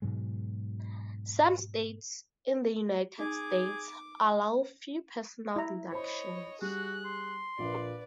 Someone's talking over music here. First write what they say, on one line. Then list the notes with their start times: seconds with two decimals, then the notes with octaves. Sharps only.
Some states in the United States allow few personal deductions.
0.02 G#2 B2 F#3 G#3
3.19 D#4 G#4 D6
5.56 E4 A#5
5.92 C5 C#5 D#5 B5
6.62 G3 F#4 G#4 F#6
7.05 C6
7.58 A#1 A#2 B4 D5